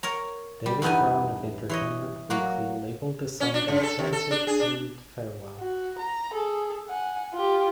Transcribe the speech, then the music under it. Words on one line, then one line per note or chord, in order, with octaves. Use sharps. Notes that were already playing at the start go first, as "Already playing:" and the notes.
David Browne of "Entertainment Weekly" labeled the song "a haunted, pained farewell".
A#4 C#5 A#5
G3
E2 G2 B3 D#4 G#5
E3 C#5 D#5
F#3 A#3 F#4
C#4
D4
C#3
A4
D#2
A4
D4
G#4
D4
F#4
A#5
G#4 A4
F#5 G#5
F4 G4